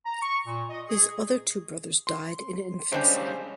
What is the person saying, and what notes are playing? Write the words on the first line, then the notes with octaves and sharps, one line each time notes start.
His other two brothers died in infancy.
A#5
C#6
A#2
D#5
G#4
C6
C#3 G3 G#3 C#4 D4 C5 G5